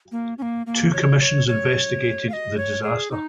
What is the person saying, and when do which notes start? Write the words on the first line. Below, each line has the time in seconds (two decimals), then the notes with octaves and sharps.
Two commissions investigated the disaster.
0.12 A#3
0.38 C#4
0.42 A#3
0.66 A#3
0.93 C#5
1.20 C#5
1.47 C#5
2.29 F5
2.33 D#5
2.57 C#5
2.83 G#4
3.11 D#4